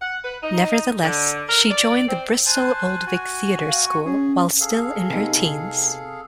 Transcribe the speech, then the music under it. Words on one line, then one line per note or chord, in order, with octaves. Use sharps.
Nevertheless, she joined the Bristol Old Vic Theatre School while still in her teens.
F#5
B4
D#4
D3
A#4
D5
C4
C5 G#5 A5 F#6
F#4 G#5
F5
C#6
C#4 G#4
G#4 A4 F5
C3 B3 D#4